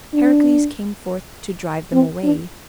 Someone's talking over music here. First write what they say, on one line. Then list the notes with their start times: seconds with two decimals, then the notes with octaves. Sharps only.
Heracles came forth to drive them away.
0.14 D4
1.93 C4
2.23 D4